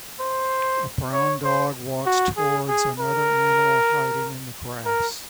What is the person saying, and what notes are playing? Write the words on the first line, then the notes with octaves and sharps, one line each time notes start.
A brown dog walks towards another animal hiding in the grass.
C5
C#5
C5
F#4
G#4
G#4
A#4
A#4